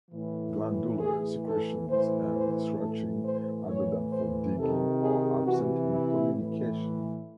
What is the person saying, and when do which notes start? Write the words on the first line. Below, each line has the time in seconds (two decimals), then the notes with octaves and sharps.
Glandular secretions and scratching, other than for digging, are absent in communication.
0.11 A2 E3
1.00 A2 E3 G#4
1.45 A4
1.89 A2 E3 C5
2.34 C5
2.78 A2 E3 A4
3.22 C5
3.66 A2 E3 C#5
4.11 C5
4.56 C3 D#3 A4
5.00 G#4
5.45 C3 E3 F#4
5.89 E4
6.34 A2 E3